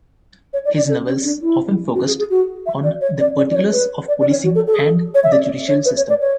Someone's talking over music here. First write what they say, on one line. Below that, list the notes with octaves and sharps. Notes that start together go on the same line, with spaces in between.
His novels often focussed on the particulars of policing and the judicial system.
C#5
D5
D5
A4
C#4
D4
E4
F#4
G#4
G#4
F#4
E5
D5
C#5
D5
D5
D5
C#5
B4
D5
D5
C#5
F#4
A4
A4
G#4
A4
C#5
E5
D5
C#5
B4
C#5
D5
C#5